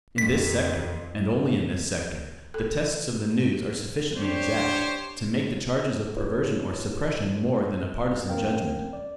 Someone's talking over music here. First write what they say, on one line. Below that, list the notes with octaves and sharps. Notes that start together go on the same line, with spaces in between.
In this sector, and only in this sector, the tests of the news are sufficiently exact to make the charges of perversion or suppression more than a partisan judgment.
F2 B6
A4
D4 G4 C5 C#5
E4 F4 G4 B4 C#5
A3 C4 C#4 A#4 F5 G5
D5